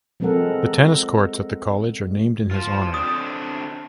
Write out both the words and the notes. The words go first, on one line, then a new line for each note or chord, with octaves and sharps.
The tennis courts at the college are named in his honor.
F3 G#3 C4 A4 A#4 F#5
F4 C5
D3 C4 D4 D#6